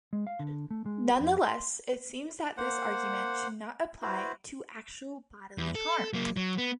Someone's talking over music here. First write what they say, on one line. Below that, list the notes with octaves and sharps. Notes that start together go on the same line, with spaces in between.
Nonetheless, it seems that this argument should not apply to actual bodily harm.
G#3
F5
D3
A3
G#3
G4
F2
C6
A#3 C5 F#5
E4 F#4 B4 C5
E2
A4
F#3 A#3
F#3
B3